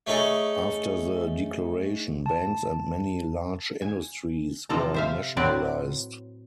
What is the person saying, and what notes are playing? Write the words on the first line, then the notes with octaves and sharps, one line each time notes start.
After the declaration, banks and many large industries were nationalised.
A3 C#4 D#4 G#4 A4
A5
G#5
C3 F3 A4 A#5
C5 E5 F5
A2 F#3 C4 B4 D5